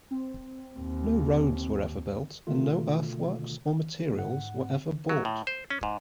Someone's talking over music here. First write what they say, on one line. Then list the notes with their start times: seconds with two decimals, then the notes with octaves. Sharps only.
No roads were ever built, and no earthworks or materials were ever bought.
0.11 C4
0.79 D#2
2.47 B2 D3 D#3 A3 F4
4.15 G#2 F#5
5.09 F#3
5.25 A2
5.47 C5
5.70 C#4
5.83 G#2